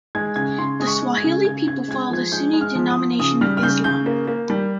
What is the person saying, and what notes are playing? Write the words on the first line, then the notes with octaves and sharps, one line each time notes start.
The Swahili people follow the Sunni denomination of Islam.
G#3 G#6
C#3 G#6
C#3 C6
G#3 D#6
C#6
G#3
G#6
C#3
C#3 G#6
C#3 G#6
G#3 G#6
F3 G#6
G#3 G6
G#3
F6
F3
D#6
F3
C#3 D#6
G3 F6
F6
C#3 G6
C#3 G6
A#3
A#3
G3